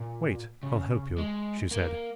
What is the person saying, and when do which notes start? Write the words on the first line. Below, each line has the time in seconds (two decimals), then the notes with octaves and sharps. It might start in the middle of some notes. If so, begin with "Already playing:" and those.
"Wait, I'll help you," she said.
Already playing: A#2
0.63 C#3
1.18 G#3
1.71 A#3